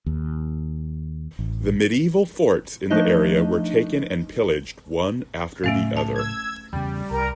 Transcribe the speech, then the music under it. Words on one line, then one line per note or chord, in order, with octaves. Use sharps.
The medieval forts in the area were taken and pillaged one after the other.
D#2
A1
F3 A3 D4 D#4 D#5
A2 C#3 F#3 A3 C#4 F5
A5
E6 G#6
E2 C#3 G3
C2 A#4 A#5